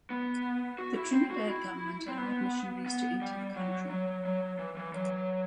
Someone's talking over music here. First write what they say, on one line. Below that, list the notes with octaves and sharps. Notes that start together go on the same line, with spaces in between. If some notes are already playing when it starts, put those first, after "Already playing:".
The Trinidad government allowed missionaries to enter the country.
B3
F#4
E4
C4
F#4
E4
C4
B3
B3
G3
F#3
F#3
F#3
E3
E3
F#3